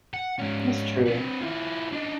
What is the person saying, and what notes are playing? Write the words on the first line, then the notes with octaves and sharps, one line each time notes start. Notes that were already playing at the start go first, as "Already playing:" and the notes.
That's true.
F#5
G#2 C#4
C4 B4
F3 E4
D4 D#4